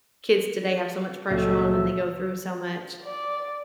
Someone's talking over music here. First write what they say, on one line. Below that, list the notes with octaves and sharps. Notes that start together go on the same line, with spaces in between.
kids today have so much pressure on 'em, and they go through so much.
C#2 A#2 C#3 F#3 G#3 A3 E5
D5